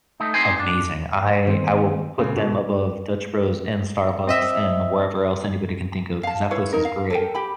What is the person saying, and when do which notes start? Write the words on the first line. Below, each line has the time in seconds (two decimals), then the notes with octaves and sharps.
Amazing. I I will put them above Dutch Bros and Starbucks and wherever else anybody can think of, 'cause that place is great.
0.20 A3 D#4
0.34 C4 D#4 G4 C5 G#5
0.60 D4
1.47 D#3 E3 A#3 C4
2.19 A#2 C#3 G#3 C4
2.36 G#2 B2
4.27 C4 D#5 E5
6.23 F5 A5
6.51 E4 B4 C#5 F5
6.73 D#4 A#4
6.85 F5
7.10 A4 A#4 G5
7.35 G4 G5 B5